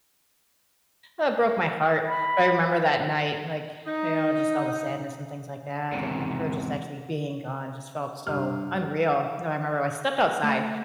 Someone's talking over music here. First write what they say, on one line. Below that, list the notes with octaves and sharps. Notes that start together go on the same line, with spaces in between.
oh, broke my heart, but I remember that night, like, you know, just all the sadness and things like that, and her just actually being gone just felt so unreal. Now, I remember I stepped outside,
B5
D#4
E2 G#2 C3 D#3
G2 C3 F6
A3